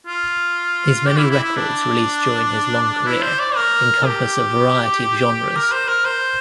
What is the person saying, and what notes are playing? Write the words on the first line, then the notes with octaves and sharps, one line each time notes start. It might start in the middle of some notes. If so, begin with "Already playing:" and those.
His many records released during his long career encompass a variety of genres.
F4
G4
E4
E4
E4
D4
E4
C5
D5
A#4
G4
A#4
C5
A#4
C5